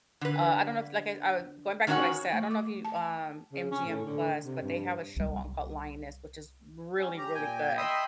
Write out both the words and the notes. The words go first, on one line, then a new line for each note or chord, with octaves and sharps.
uh, I don't know if like I uh going back to what I said I don't know if you, um, MGM Plus but they have a show on called Lioness, which is really, really good,
D3 B4
D#3 C#4 D4 F#4 C#5 F#5
A3
D6
A5
C#3
C#4
A2
D3
C3
G2
C2 G3
G3 C#4
G4 A#5
A#2 G5 G#5
D#5 E5 G5 B5 C6 D#6